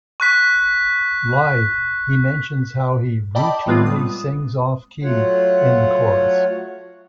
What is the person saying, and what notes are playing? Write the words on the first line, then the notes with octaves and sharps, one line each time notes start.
Live", he mentions how he "routinely sings off-key in the chorus.
C#6 F#6 B6
D5 D#5 G5 A5 B5 D6
A2 G3 G#3 B3 C4 F4
D#6
F#3 A3 F4 C#5 F#5